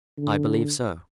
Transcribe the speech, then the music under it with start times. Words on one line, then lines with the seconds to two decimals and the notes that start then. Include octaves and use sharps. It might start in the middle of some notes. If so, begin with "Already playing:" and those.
"I believe so."
0.18 D3